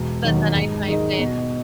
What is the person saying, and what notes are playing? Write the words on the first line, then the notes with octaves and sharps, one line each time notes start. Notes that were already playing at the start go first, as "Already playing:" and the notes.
But then I typed in
Already playing: E1
D#2 D#3 F#3
G#2
D#3 G#3 D#4
B2